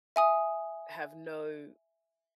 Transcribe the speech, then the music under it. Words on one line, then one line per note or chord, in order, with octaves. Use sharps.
have no
E5 G#5 D#6